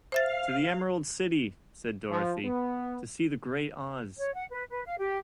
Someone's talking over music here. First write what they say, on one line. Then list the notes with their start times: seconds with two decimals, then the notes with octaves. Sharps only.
"To the Emerald City," said Dorothy, "to see the Great Oz."
0.12 C5 E5 F5 A6
2.10 F3
2.45 B3
4.18 C#5
4.34 F#5
4.51 B4
4.70 B4
4.85 F5
4.98 G4